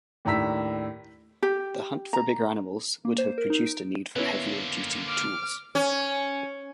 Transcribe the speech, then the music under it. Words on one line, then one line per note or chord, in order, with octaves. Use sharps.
The hunt for bigger animals would have produced a need for heavier-duty tools.
D#2 A2 D4 A#5 E6 B6
G4
A#5
A#3
C5
A#4
D#4
D7
D3 A#3 B3 C#4 E4
D6 F6
C#4